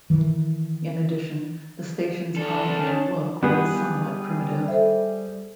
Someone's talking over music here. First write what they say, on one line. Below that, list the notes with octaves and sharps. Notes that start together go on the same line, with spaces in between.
In addition, the station's on-air look was somewhat primitive.
D#3 E3
D4 F#4 A4 A5
C#4
G3 B3 G#4 B4
A4 C5 E5